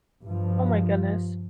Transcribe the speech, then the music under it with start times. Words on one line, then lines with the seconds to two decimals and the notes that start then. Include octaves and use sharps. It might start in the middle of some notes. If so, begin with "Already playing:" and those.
Oh, my goodness.
0.24 G2 F3